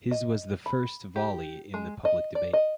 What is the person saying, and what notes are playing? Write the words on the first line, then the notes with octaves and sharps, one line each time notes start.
His was the first volley in the public debate.
D#5
B5
G4
G#3
D#5
D5
D#5